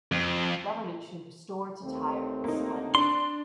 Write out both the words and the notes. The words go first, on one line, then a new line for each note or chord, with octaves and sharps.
The government should restore to Tyre its splendor.
F2
D#2 A3 C4
A#3 D#4
D4 C6